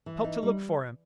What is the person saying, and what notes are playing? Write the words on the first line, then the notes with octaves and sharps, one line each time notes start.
Help to look for him!
E3
D#4
G3